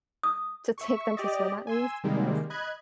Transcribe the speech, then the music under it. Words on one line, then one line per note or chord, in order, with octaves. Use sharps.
to take them to swim at least because
D#6
E5 C#6
G4 D5 D#5
G#5 C6 E6
C3 D#3 G3 G#3 A#3
D#5 B5 F#6 G#6